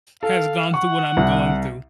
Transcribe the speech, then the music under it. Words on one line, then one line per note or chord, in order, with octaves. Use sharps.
has gone through what I'm going through.
A4 F5
F#5 C#6
C2